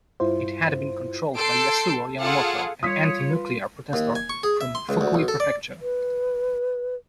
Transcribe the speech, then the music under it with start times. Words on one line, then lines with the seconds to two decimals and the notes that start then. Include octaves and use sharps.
It had been controlled by Yasuo Yamamoto, an anti-nuclear protestor from Fukui Prefecture.
0.20 G2 E4 F4 C5
1.36 A4 C6 G6 C7 D7
2.18 F4 G#4 A4 F5 F#5
2.83 G3 F4 C#5 D#6 B6
3.30 B4
3.93 D#2
4.15 G#5
4.30 C#6
4.43 G#4
4.61 E5
4.75 C6
4.89 C#2
5.01 D2
5.14 B1
5.28 A4
5.40 D5
5.82 B4